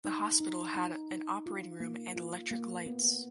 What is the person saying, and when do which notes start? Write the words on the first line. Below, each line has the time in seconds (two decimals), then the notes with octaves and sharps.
The hospital had an operating room and electric lights.
0.05 D#4
0.40 D#4
0.76 D#4
1.11 D#4
1.46 F4
1.80 A#3
2.16 F4
2.51 A#3
2.86 B3